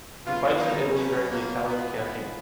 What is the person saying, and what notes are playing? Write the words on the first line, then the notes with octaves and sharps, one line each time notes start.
He fights in Italy during the Italian campaign.
B2 F#3 F4
D#4
C#4
A#3
G#2 F3 B3
B3